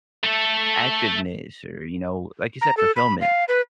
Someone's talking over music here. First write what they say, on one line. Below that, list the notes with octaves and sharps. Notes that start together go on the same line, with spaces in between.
activeness or, you know, like you said, fulfillment,
A3 A4
A#5
A4
B5
F5
B4